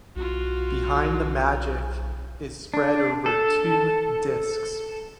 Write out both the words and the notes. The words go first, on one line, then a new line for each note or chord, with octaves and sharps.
"Behind the Magic" is spread over two discs.
B1 F4 F#4
D4
A4